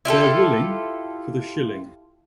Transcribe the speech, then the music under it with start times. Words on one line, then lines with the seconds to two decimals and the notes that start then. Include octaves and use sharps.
They're willing - for the shilling.
0.05 E4 F4 G4 A4